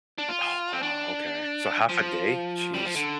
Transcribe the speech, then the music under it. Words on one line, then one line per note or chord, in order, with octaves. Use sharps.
Oh, wow. Okay, so half a day? Jeez.
D4
F4
C4
D4
F3
G3
F3
D3